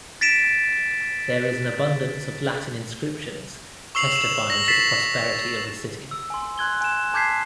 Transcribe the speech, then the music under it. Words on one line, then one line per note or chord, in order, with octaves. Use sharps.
There is an abundance of Latin inscriptions testifying to the prosperity of the city.
A6 B6 D7 E7
C#6 E6 C7 F7 F#7
E7
A#6 F#7
A6 B6 C7 E7
E6
G#5 C6
C6 F#6 G#6 G7
G#5 E7
A5 D6 G6 G#6 B6 C7